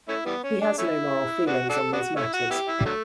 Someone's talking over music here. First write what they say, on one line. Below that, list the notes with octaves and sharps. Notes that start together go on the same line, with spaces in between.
He has no moral feelings on these matters.
A3 C#4 E4
E3 G3 B3
C#4
D4
A3 C#4 E4
B3 D4 F#4
D4 F#4 A4
B3 D4 F#4
A3 C#4 E4
F#4
B3 E4 G4
E4
G3
D3 F#3 A3